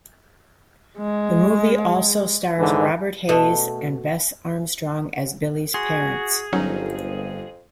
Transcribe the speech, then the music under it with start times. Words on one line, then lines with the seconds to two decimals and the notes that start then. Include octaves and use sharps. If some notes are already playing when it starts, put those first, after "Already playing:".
The movie also stars Robert Hays and Bess Armstrong as Billy's parents.
0.98 G#3
2.58 G#2 D3 E3
3.29 B2 A3
5.74 F#4 G#4 C6
6.53 G1 F2 F#3 C#4 D#4